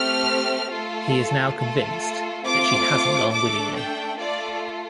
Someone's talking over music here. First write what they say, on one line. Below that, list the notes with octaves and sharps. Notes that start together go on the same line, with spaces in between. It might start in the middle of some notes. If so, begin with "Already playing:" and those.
He is now convinced that she hasn't gone willingly.
Already playing: A3 C4 G4 F6
A3 F4 A4
A3 F4 A4
A3 C4 F4 D6
A3 D4 A4 D6
G5
A3 F4 A4 D5